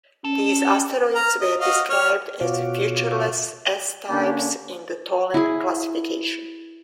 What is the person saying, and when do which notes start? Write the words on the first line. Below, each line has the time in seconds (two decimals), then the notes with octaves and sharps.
These asteroids were described as "featureless" S-types in the Tholen classification.
0.25 C#4 A4
1.15 A#5 F6
1.41 D#5
1.60 F#4 D#5 F5
1.90 C#5 F6
2.41 B2 F4 F#4 C#5 F5 D6
4.09 D3 A#3 C#4 D4
5.34 E4 G#4